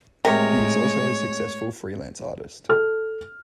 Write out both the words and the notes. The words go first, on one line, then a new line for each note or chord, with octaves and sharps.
He is also a successful freelance artist.
A2 C3 G#3 A#4 C#5
A4 F6